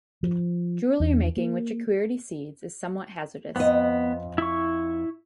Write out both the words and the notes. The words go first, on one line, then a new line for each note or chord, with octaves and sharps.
Jewelry-making with jequirity seeds is somewhat hazardous.
F3
E2 D4
A#3
F2 B3 D#5
E4 C#6